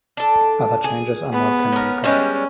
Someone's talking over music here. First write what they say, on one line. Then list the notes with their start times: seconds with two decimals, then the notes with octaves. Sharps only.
Other changes are more canonical.
0.17 D4 A4
0.84 G#4
1.32 B3
1.73 C#4 A#4
2.04 G3 G#3 C#4